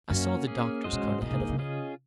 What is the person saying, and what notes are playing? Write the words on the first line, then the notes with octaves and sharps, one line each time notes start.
I saw the doctor's cart ahead of me.
F#2 A#3 C#4 F#4
A#3 C#4 G#4
G#3 C#4 F#4 C5 D#5
A#2
G#2
A#2 A#3 D#4 G#4 D#5
C#3
D#3
C#3
C#4 F4 G#4 D#5